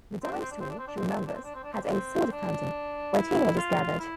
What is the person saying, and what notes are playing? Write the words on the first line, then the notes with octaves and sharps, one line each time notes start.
The dime store, she remembers, had a soda fountain, where teen-agers gathered.
C4
D4
C4
D4
C4
D4
C4
D4
C4
D4
C4
D4
C4
D4
C4
D4
C4
D4
C4
D4
E4
F4
E4